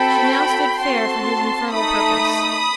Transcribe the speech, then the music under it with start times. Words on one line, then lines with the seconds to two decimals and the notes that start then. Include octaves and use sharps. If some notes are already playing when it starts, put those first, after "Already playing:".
She now stood fair for his infernal purpose.
Already playing: C4 F#4 A4 G5 B5
0.78 C4 F#4 A4 A5 C6
1.72 A3 D#4 A4 B5 D#6